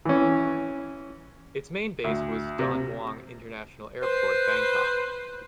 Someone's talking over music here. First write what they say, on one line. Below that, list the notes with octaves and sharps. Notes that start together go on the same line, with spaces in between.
Its main base was Don Mueang International Airport, Bangkok.
E3 C#4
D2
C3
B4 C5